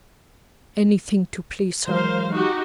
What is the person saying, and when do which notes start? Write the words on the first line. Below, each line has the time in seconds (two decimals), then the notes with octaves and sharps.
Anything to please her!
1.88 E3 F#3 G#3 A#4 C5 F5
2.31 D#4 F#4 G4